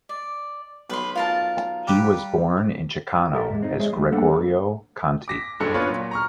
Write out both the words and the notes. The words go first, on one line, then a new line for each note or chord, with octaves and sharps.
He was born in Ceccano as Gregorio Conti.
D5
B1 B4 C6
F4 A#4 A5
G3 G4 B4
G4 A4 A#4 C#5 E5
G#2 G#3
C4 D#4
G#3 G#4 C5 C#5 E5
G#3 A3
G3 A#3 D4 A4 C5 F#5
D6 A#6 B6
F#1 G2 D3 F#3 C#4 C#7
B3 D4 F4 B4 C#5
A#2 F#3
A#5 C#6 F6